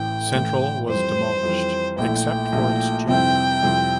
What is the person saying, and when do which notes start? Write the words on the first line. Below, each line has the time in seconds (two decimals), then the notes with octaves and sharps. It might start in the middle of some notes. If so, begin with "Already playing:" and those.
Central was demolished except for its gym.
Already playing: A1 A2 E3 G5
0.34 A1 A2 E3
0.88 F2 E3 G3 C5
1.43 F2 E3 G3
1.98 A#1 A#2 A3 E4 G5
2.52 A#1 A#2 A3 E4
3.07 F2 C3 G3 C4 E4 G5
3.63 F2 C3 G3 C4 E4